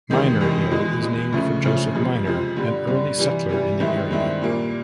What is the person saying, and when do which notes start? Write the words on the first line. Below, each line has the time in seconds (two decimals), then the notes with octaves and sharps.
Minor Hill is named for Joseph Minor, an early settler in the area.
0.10 E2 C3 D#3 G#3
0.41 E2 C3 D#3 G#3
0.71 E2 B2 G#3
1.02 E2 B2 G#3
1.33 D2 C#3 F3 A3 C#4
1.64 D2 C#3 F3 A3 C#4
1.95 F2 C3 F3 G#3
2.25 F2 C3 F3 G#3
2.56 G2 D3 G3
2.87 G2 D3 G3
3.18 C3 E3 G3
3.49 C3 E3 G3
3.80 G2 D#3 G#3 C4 E4
4.11 G2 D#3 G#3 C4 E4
4.42 A#2 G3 A#3